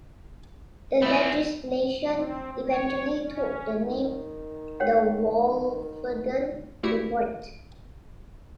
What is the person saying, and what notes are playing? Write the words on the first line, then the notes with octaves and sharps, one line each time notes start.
The legislation eventually took the name The Wolfenden Report.
A3 B3 C4 E4
C4
C#5
C#4
D#3
C#5 F#5 G5
G2 A3 E4 F#4 G4